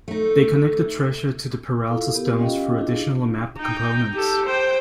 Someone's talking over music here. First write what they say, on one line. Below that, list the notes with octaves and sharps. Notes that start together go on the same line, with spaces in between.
They connect the treasure to the Peralta Stones through additional map components.
A3 D#4
E4 F4 A4 F5
B3 G4 A#4
C#4 F4 G4 D#5 F5 G5
D4 E4 F4 G#4
D#4 G5
G4 A4
C5 G5